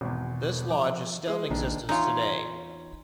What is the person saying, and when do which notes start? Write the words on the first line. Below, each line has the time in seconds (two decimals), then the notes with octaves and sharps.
This lodge is still in existence today.
0.01 G#1 E2 B2
0.71 F3 D6
1.28 G#3 G#4
1.50 A#1 A#2 D#3 D4
1.89 E2 C#4 D#4 F4